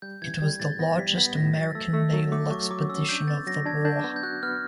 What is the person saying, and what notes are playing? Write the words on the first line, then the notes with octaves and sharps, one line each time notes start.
It was the largest American naval expedition of the war.
G3 G6
E3 G#6
G3 G#6
A2 A6
B3 A#6
G3 B6
B3 B6
A2 A#6
F#3 A6
A3 E6
A3 E6
F#3
A3 D6
F#3 C#6
F#3 D6
C#4 E6
D4 G6
B3 A6
F#3 A#6
D4 G#6
D4 G6
B3
G6
F#4 F#6
B3 F6